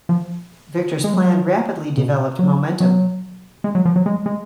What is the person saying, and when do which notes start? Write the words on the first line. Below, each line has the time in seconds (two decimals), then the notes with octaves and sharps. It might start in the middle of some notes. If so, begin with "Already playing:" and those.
Victor's plan rapidly developed momentum.
0.09 F3
1.04 G#3
1.14 F#3
1.97 B2
2.39 F#3
2.80 F#3
3.64 G#3
3.75 F#3
3.85 F3
3.96 F#3
4.06 G#3
4.26 G#3